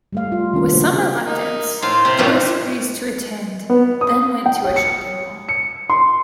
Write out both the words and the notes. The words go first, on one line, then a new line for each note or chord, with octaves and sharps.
With some reluctance, Doris agrees to attend then went to a shopping mall.
G3 A3 F5
F4
D#3 C#4 D4 F4
C#3 A#3 D4 F#4 C5
D#4 A#4
A2 C5 F5 C6
C3
F#2 A2 G3 F4 A#4 B4
B3
D#6
G5
C#5
C#7
C#7
C6